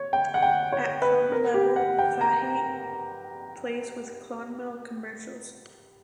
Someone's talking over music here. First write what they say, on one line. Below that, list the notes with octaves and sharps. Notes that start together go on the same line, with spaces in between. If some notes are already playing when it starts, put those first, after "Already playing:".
At club level Fahey plays with Clonmel Commercials.
Already playing: C#5
G5
F#5
G5
C#5
B4
A#4
G4
F#5
G5
A#5